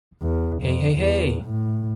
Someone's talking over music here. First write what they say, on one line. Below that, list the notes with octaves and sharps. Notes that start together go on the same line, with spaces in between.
Hey, hey, hey!
E2
F2
E2
A2